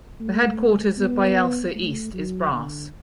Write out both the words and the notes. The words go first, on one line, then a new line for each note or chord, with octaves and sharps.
The headquarters of Bayelsa East is Brass.
A3
B3
A3
F#3
D3